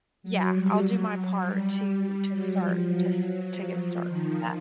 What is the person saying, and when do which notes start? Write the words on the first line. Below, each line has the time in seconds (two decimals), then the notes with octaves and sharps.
Yeah. I'll do my part to to start, to s to get start that.
0.23 F#3
0.53 G3
0.82 F#3
1.12 F#3
1.41 G3
2.30 F#3
2.59 F3
2.89 F#3
3.18 F#3
3.48 F3
4.07 D#3